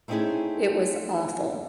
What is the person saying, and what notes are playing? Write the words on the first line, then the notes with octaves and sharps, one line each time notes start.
It was awful.
A3 C4 C#4 D#4 E4 G#4